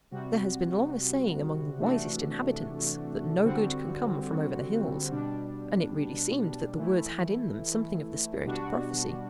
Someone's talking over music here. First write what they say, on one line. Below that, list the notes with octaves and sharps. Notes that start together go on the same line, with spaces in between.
There has been long a saying among the wisest inhabitants, that "no good can come from over the hills"; and it really seemed that the words had in them something of the spirit of prophecy.
C3 G3 C4 F#4
C3 E3 A3 D4 F#4
D3 G3 C4 F#4
B2 G3 D4
E3 A3 E4
B2 G3 D4 F#4